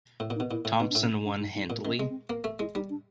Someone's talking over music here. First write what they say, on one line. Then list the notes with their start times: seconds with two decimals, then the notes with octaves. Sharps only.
Thompson won handily.
0.20 A2
0.30 A#2
0.36 D#4
0.40 B2
0.50 A#2 E4
0.65 A2
0.80 B2 D#4
0.90 D4
0.95 A2
1.01 C#4
1.25 D4
1.39 D#4
1.55 D#4
1.70 A#2
1.85 D#3 C#4
1.99 G#3 B3
2.10 C4
2.30 A#3
2.44 A3
2.59 G#3 E4
2.75 G3 D#4
2.90 D4